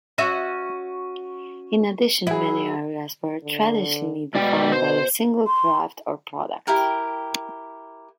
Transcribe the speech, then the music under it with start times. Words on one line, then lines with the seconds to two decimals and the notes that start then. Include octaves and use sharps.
In addition, many areas were traditionally defined by a single craft or product.
0.18 C#4 F#4 E5 C#6 D#7
2.27 F#3 E4 G#4
3.44 D3
4.35 B2 G#3 D5 G5
4.72 C5
5.47 C6
6.67 E4 G4 A#4 G5